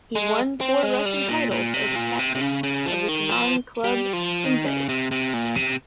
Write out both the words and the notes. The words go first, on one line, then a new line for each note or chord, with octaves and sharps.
He won four Russian titles as a captain of the Kazan club Sintez.
G#3
C4
G#3
G3
A#2
A#2
C3
A#2
C3
C3
C#3
C#3
F3
D#3
F3
G3
F3
D#3
C#3
C3
C3
A#2
C3